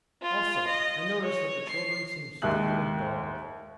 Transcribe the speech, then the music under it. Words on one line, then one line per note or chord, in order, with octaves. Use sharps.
Also, I notice that the children seem stupid and dull.
F4
D#5
C#5
C7
D#2 G#3 G4 E5 F#6 F#7